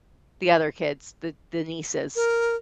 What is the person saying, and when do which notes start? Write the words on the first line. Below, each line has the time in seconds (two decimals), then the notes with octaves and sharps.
the other kids, the the nieces.
2.16 A#4